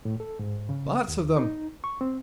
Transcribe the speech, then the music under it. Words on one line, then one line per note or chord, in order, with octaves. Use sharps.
Lots of them.
A2
A4
G#2
C#3
D#2
D#4
C#6
C4